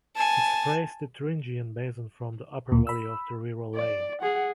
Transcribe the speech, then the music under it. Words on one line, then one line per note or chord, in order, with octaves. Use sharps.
It separates the Thuringian Basin from the upper valley of the river Leine.
G#5 A5
D2 A#2
B5 E6
D5
G#4 F#5